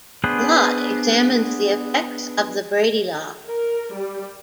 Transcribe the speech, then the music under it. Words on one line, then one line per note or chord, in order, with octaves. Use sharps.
Lott examines the effects of the Brady law.
B3 D4 G#4 B4 C5
A#4
G3